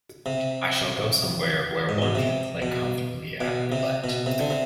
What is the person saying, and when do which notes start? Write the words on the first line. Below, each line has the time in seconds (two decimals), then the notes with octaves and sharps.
I shall go somewhere where one can play comfortably at roulette.
0.26 C3
1.89 G#2
2.02 B2
2.15 C3
2.62 B2
3.41 B2
3.72 C3
4.04 B2
4.26 C3
4.40 D3
4.50 C3